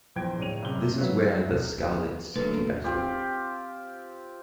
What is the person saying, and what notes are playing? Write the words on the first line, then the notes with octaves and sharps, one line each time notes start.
This is where "The Scarlets" do battle.
A#1 E2 C5 G5 G#6 D7
D1 C#5 D5 D#7 F7
F#1 C3 G7
F#3 B3 F#4 C#5 E5
E1
D3 F#3 A3 A#3 B4
C4 F4 G4